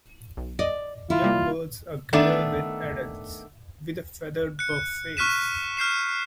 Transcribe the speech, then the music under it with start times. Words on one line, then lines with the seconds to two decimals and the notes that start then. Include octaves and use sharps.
Young birds are greyer than adults, with a feathered buff face.
0.37 B1
0.59 D5 D#5
1.10 E4 F4
1.22 C3 G3 A#3
2.13 D#3 A3 B3 D4 D5
4.59 F#6 C#7
5.17 C#6 F6 F#6 B6 D#7 E7
5.77 F6 G6 C7 E7